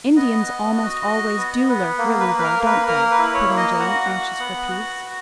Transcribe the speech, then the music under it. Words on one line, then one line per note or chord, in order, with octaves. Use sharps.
'Indians almost always DO lurk, really, though, don't they?' put in Jane, anxious for peace.
B3 D#5
B3
F#4
F#4
B3
B3
A#3
B4
A#3
B4
A#4
A#3
B4
A#3 A#4
B4
E4
C#5
A#3
D#5
F#4 F#5
F#4
B3
F#4
F#4